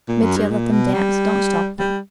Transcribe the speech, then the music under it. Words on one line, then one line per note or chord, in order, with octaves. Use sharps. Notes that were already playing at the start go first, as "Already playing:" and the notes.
Mitya, let them dance, don't stop them.
A#2
F#2
G2
A#2
B2
G3
G3